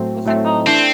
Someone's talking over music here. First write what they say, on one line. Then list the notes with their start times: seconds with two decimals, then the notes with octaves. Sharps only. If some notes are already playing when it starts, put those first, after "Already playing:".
What's it called?
Already playing: A2 F#3 A3 C4
0.25 A2 F#3 A3 C4
0.66 E3 A3 C4 D4